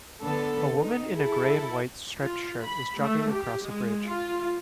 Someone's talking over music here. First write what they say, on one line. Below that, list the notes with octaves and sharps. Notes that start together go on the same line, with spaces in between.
A woman in a gray and white striped shirt is jogging across a bridge.
D3 B3 A4
D#4
E4 G#4 A4
F4
B5
A3
G4
G#3
F4